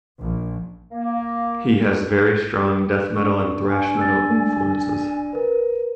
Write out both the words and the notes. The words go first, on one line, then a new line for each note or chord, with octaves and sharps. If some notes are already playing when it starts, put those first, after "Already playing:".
He has very strong death metal and thrash metal influences.
A#1
A#3
D4 C#6
G#5
E6 A6
A#4 B4